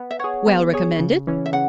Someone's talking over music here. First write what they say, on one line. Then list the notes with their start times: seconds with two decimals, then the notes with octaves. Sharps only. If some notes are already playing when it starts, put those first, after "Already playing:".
"Well recommended?"
Already playing: B3
0.11 E5
0.19 G#4 C#5 F#5
0.47 B3
0.74 G#4 C#5
0.99 C#3
1.27 E3 C#4
1.46 E5
1.53 C#3 F#5